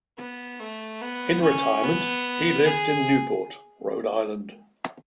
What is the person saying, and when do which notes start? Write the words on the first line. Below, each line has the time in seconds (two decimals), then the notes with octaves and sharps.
In retirement he lived in Newport, Rhode Island.
0.18 B3
0.60 A3
1.01 B3
1.42 C#4
1.83 B3
2.66 G#4